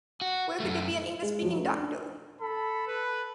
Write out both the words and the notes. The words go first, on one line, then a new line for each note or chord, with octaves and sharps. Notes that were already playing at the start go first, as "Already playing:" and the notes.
Where could there be an English-speaking doctor?
F#4
F#2 A3
G#3
F3 F#3
A3 C#4 B4
D4
A4 B5
B4